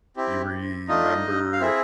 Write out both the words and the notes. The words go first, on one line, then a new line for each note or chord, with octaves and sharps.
you remember,
C4 E4 G4
A3 D4 D#4 F4 D#5
F5
C4 E4 G#4 E5